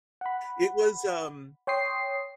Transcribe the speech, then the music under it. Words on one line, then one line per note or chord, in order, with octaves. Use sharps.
It was, um
F#5 B5
C#5 G5 C6 D#6 C7